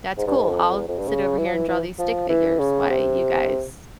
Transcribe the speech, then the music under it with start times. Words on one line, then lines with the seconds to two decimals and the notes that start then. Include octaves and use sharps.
that's cool. I'll sit over here and draw these stick figures while you guys
0.17 G#2
0.27 G2
0.37 G#2
0.48 F2
0.78 E2
0.88 F2
0.98 G2
1.08 C#3
1.38 E3
1.46 F3
1.53 E3
1.68 E3
1.99 F3
2.29 E3
2.59 C#3
2.89 C3